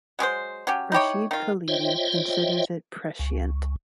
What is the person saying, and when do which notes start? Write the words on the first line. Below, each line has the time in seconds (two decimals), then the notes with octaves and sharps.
Rashid Khalidi considers it "prescient".
0.19 F#3 G#3 G4 C5
0.67 F#3 C#4 G4
0.92 D#4 E4 G4 C#5
1.31 D#3 F4
1.68 F4 C5 C#5 D#5 E5 G5
3.19 C#2